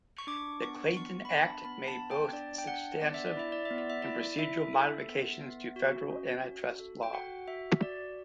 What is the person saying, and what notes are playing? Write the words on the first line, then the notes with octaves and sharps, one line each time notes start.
The Clayton Act made both substantive and procedural modifications to federal antitrust law.
C#6
D4 D6
B3 C#6
B3 C#6
B5
D4 A5
B3 B5
A5
B3
G5
D4 D5
G5
D4 F#5
B3 D5
E5
D5
E4 E5
D5
E5
B3
D5
E5
E4 D5
E4 E5
A4
B3
B3
F#4
C#4
F#4
A4
G5
F#4 F#5
F#4 E5
F#4 D5